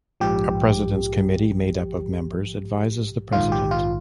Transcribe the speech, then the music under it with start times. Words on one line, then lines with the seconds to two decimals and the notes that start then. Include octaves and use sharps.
A President's Committee, made up of members, advises the president.
0.20 A#1 G#2 F3 G4
3.32 A#1 G#2 D#3 F4
3.52 G4
3.71 F4